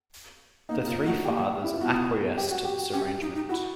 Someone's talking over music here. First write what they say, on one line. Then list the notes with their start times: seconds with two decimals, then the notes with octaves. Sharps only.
The three fathers acquiesce to this arrangement.
0.69 A#3 D#4
0.87 A#3 F4
1.06 A3 F#4
1.25 A#3 G4
1.64 E4
1.73 F4
1.81 B3 F#4
2.37 G4
2.51 F#4
2.65 G4
2.80 F#4
2.93 C#4 G4
3.21 D#4
3.35 D#4
3.49 E4 F#4